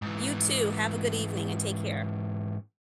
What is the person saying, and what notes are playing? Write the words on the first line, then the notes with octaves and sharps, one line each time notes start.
You too. Have a good evening and take care.
G#2 E3